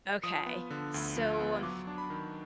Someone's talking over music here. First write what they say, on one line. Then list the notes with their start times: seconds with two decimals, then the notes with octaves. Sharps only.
Okay. So, um
0.23 F3 D#6
0.46 B3
0.70 D3
0.94 D2
1.17 F3
1.41 B3
1.63 F#3 D6
1.87 D4
1.98 B5
2.10 D#3